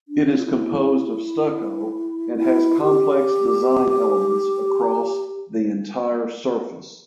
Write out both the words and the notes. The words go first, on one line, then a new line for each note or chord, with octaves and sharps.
It is composed of stucco and has complex design elements across the entire surface.
D4
E4
F4
E4
E4
G4